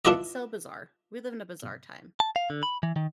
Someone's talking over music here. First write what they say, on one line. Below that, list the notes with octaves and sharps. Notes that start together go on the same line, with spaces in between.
it's so bizarre. We live in a bizarre time.
D4 E4 F4 B4 D5 D#5
A5
F5
D3
B5
E3
D#3